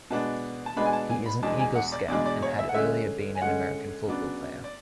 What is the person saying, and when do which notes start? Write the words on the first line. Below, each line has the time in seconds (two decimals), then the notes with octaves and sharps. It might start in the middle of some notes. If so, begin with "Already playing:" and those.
He is an Eagle Scout and had earlier been an American football player.
0.10 B2 G#3 B3 D4 A5
0.66 A5
0.76 B2 G#3 B3 D4 B5
0.86 G#5
0.93 A5
1.09 G#5
1.26 B5
1.43 E2 B2 G#3 D4 A5
1.59 G#5
1.75 F#5
1.92 D5
2.08 E2 B2 G#3 D4 D5
2.26 D5
2.42 C#5
2.59 E5
2.69 F#5
2.74 D3 G#3 C#4 E5
3.35 G#5
3.42 D3 G#3 C#4 F#5
4.07 C#3 F#3 B3 D4
4.64 D5